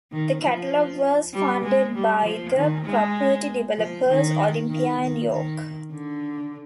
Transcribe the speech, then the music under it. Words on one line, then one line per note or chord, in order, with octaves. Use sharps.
The catalogue was funded by the property developers Olympia and York.
D#3
F3
G3
G#3
G3
F3
D#3
G#3
F3
D#3
D#3
D#3
D#3
D3